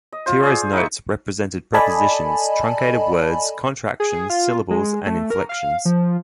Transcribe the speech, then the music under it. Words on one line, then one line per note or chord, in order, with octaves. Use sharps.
Tiro's notes represented prepositions, truncated words, contractions, syllables, and inflections.
D#5
F4 C5
G#4 D5
D#4 E4 B5 C#6
A4 D5 D#5 G#5 A5 B5
G#4
F4
G#3
A3
A#4
F5
F3